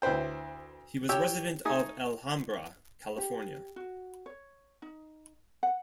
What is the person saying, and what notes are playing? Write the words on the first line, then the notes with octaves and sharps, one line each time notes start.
He was a resident of Alhambra, California.
D2 E4 B4 C5 G5
G4 C#5 E6
A3 D#4 G#5 D#6
G4
F#4
C#5
D#4
F#5